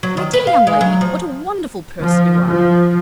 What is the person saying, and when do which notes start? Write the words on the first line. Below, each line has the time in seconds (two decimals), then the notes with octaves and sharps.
My dear young lady, what a wonderful person you are!
0.03 F#3
0.17 D#3
0.33 B4
0.47 F5
0.67 G#3
0.81 F#3
1.01 F3
2.02 F3
2.47 F3